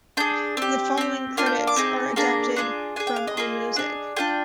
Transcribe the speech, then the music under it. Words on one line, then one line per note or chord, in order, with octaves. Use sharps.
The following credits are adapted from AllMusic.
D4 G#4 G6
C4 G4
C4 G4
A#3 D4 F4 F6
G6
D6
C4 D#4 G#4
A#3 D4 G#4 A#5
D4 F4 G#4
D4 G#4 G#5
G5
F5
D#5
A#3 F4 G#4
D4 G#4
D4 F4 G#4 G5